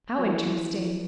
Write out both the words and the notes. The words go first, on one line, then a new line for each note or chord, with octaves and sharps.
How interesting!
F#3
E3